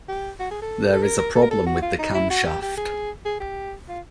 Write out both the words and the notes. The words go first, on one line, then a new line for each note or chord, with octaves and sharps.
There is a problem with the camshaft.
G4
F#4
G#4
A4
A4
A#4
A#4
A4
A#4
A4
F#4
F4
D#4
E4
F#4
G4
G4
G#4
G#4
G4
F4